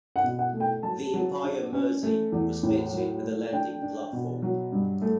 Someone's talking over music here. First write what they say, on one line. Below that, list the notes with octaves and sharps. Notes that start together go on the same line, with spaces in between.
The "Empire Mersey" was fitted with an landing platform.
F#5
B2
F#5
A3
G5
F#3 A5
F#3
D4
C#4
A3
E2
A2
F#3
A3
D4 G5
D4
B2
F#3
G2
A3